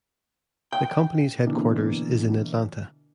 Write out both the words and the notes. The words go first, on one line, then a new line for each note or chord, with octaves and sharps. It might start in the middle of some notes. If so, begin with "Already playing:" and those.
The company's headquarters is in Atlanta.
G5
B2 D3 E3 A#3 D4